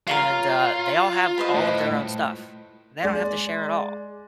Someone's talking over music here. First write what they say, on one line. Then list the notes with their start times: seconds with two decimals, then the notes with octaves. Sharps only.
and, uh, they all have all of their own stuff. They don't have to share at all,
0.07 F4 A#4 C#5 F5
1.38 B4 C5 D#5
1.54 A2
3.03 G#3 D5